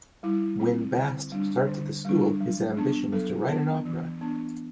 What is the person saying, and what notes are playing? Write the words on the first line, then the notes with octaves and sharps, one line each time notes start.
When Bast starts at the school his ambition is to write an opera.
G3 E4
C4
D3
G3 D4
D3
G3 D4
F#3
B3 D4
F#3 A4
B3 D4
E3
B3 D4